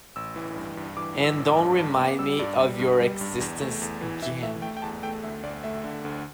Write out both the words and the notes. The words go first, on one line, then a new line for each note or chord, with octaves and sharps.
And don’t remind me of your existence again.
A1 E6
E3
G2
G2
E3 D6
G2
E6
A1
D6
G2
G2 A5
B3 D6
G3 E6
G2 D5
G3
G2
G3
G2
E2
A3
E2
E3
E3 E5
A3 E5
A3 G5
G5
E2 A5
A3 G5
D2 E5
D2 D5
A3 E5
D3
D2